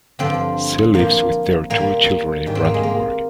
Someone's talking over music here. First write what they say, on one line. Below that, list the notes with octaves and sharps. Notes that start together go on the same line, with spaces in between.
She lives with their two children in Brandenburg.
G2 D3 F3 C4
A#2 F3 A#3
A#2 G3 A#3
G#2 D#3 G3
C4
A#3
G#3
A#3